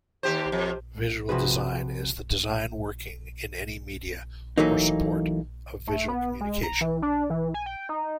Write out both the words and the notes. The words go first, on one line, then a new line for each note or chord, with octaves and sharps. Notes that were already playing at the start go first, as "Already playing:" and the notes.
Visual design is the design working in any media or support of visual communication.
D#2 G4 C5
F2
C3 F3 F#4 G#4 B4
E3 F#3 A3 A#3 D#4
A3
B3
G#3
A#5
E3
D4
E3
G#5
G5
D#4